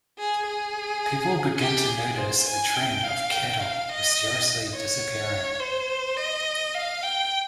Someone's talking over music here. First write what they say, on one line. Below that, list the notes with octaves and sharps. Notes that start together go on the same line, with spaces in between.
People begin to notice a trend of cattle mysteriously disappearing.
G#4
G#4
G4
G#4
C5
G#5
G5
F5
G5
F5
D#5
C#5
C5
D#5
F5
G5